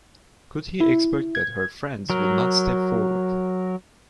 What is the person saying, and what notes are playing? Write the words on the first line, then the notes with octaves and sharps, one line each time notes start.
Could he expect that her friends would not step forward?
E4
G#6
F#3 A#4